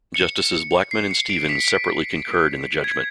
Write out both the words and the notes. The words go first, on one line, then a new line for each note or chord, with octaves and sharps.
Justices Blackmun and Stevens separately concurred in the judgment.
C#7
C7
C#7
D7
B6
G#6